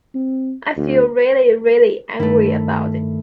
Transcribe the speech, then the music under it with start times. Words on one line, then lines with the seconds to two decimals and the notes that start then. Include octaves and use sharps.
I feel really, really angry about it.
0.14 C4
0.77 D2
2.20 G2 D#3 A3 E4